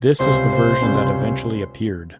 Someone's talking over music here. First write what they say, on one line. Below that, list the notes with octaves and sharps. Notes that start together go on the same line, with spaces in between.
This is the version that eventually appeared.
C#2 C3 G3 C#4 C5
C5
C#2 C3 G3 C#4